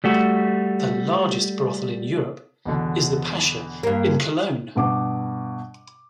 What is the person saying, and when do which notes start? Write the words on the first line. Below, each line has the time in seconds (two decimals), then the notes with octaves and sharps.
The largest brothel in Europe is the Pascha in Cologne.
0.04 G3 A3 F#4
2.66 E2 B2 D3
3.83 G2 A#3
4.75 G2 B2 D6